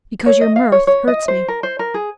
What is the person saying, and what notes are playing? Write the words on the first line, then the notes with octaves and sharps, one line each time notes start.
"Because your mirth hurts me."
C#5
D#5
F5
C#5
C#5
D#5
C5
A#4
C5
A#4
G#4